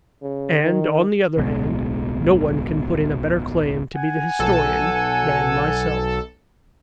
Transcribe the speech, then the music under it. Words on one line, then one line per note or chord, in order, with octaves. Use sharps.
And, on the other hand, no one can put in a better claim to be the historian than myself.
C#3
D#3
D1 B1 B2 G#3
F#5 G#5
B1 A4